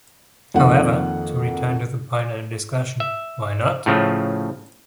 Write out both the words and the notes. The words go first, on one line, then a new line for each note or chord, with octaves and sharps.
However, to return to the point under discussion, why not?
F2 D#3 A#3 F#5
E5
A2 C#3 F3 A3